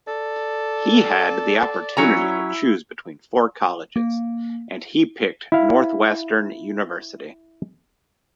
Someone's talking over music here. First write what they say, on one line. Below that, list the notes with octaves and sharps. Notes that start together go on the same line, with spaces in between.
He had the opportunity to choose between four colleges and he picked Northwestern University.
A4 D5
F#3 C#4 E4 A#5
A#3
E4 F5